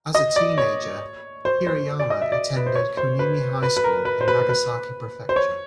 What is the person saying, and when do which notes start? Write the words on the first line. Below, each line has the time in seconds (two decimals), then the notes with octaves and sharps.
As a teenager, Hirayama attended Kunimi High School in Nagasaki Prefecture.
0.15 D#5
0.36 D5
0.58 C#5
1.45 C5
1.67 C5
1.99 D5
2.10 D#5
2.21 E5
2.32 D5
2.56 B4
2.66 C5
2.75 C#5
2.97 C5
3.19 B4
3.63 B4
3.77 B4
3.84 A#4
4.05 B4
4.21 C5
4.28 B4
4.49 B4
5.29 C5
5.36 C#5